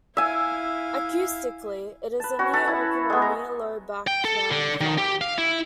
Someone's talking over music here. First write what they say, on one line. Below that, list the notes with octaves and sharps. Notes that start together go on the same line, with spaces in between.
Acoustically, it is a "near-open" or "near-low back rounded vowel".
E4 E5 F5 G#5
B4 A5
C#4 F#4
A4 F#5 A5 B5
E4
G#3 B3
A#5
G5
A4
D3
D#3
G4
F5
E4